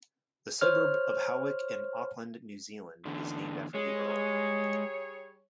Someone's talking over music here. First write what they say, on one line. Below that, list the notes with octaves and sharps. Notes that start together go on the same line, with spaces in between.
The suburb of Howick in Auckland, New Zealand, is named after the earl.
C5 C#5 F6
E2 D3
G3 G#3 G#4 C#5